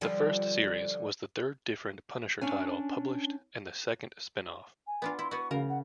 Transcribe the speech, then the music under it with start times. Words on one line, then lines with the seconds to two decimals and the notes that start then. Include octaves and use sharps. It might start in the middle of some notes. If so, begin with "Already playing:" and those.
The first series was the third different Punisher title published and the second spin-off.
0.01 D3 F3 G3
2.41 C#4 D4 G#5
4.87 G#5
5.02 B3 D4 F4
5.19 E4 C6
5.31 B3 F#4 C#6
5.51 C#3 A#4 F5
5.69 F#5